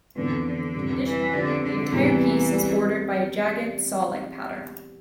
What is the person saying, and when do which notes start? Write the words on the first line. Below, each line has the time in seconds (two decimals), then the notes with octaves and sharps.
Additionally, the entire piece is bordered by a jagged saw-like pattern.
0.16 F2 D3 E3 B3
0.45 D3
0.75 F2 C3 G3
1.04 E3
1.33 D3 F3 C4 G4 B4 D5
1.63 D3
1.92 E2 C3 E3 G3
2.51 G3 C4 G4 D5